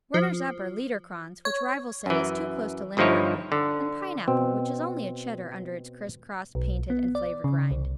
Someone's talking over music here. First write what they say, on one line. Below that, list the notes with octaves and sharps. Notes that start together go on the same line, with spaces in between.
Runners-up are Liederkranz, which rivals say is too close to Limburger, and Pineapple, which is only a Cheddar under its crisscrossed, painted and flavored rind.
F3
C#5
F#2 E3
G1 G2 F3 D#4 E4 C#5
D3
B2 C4
B1
B3
D5
C#3
C2